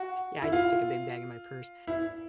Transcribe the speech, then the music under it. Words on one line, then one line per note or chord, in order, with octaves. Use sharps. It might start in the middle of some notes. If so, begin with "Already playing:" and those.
Yeah, I just stick a big bag in my purse,
Already playing: F#4
E4
F4
E4